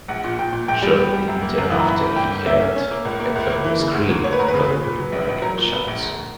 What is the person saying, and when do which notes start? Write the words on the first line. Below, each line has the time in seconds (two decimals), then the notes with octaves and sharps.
Shortly thereafter he heard a female scream, followed by gunshots.
0.08 A#1 F#5
0.24 A#2
0.39 A#2 G5
0.53 A#2
0.68 A#1 G5
0.82 G3
0.97 B3
1.13 G3
1.28 F#2
1.43 A#3
1.58 F#2
1.71 E3
1.80 A#5
1.87 E3 B5
2.02 G1
2.16 A#3 G5
2.31 G1
2.46 A#3 E5
2.60 C#4
2.76 C#4
2.91 A#3
3.05 C#2
3.20 A#3
3.35 C#2
3.50 A#3
3.64 E3
3.79 C#3
3.94 D2
4.09 A#3
4.24 D2 C#5
4.33 B4
4.39 D2 A#4
4.48 B4
4.54 C#3
4.68 C#3
4.84 A#2
4.99 F#3
5.12 A#1
5.28 A#1
5.42 F#3 A#4
5.58 A#2
5.73 B3
5.88 A#1
6.03 D2